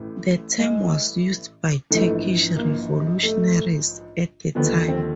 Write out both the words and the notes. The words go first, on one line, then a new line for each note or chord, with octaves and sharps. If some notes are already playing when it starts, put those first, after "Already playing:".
The term was used by Turkish revolutionaries at the time.
Already playing: A1 A2 E3
G#3
A#1 G#2 E3 A3
A#3
A3
D#2 D3 F3 B3
C4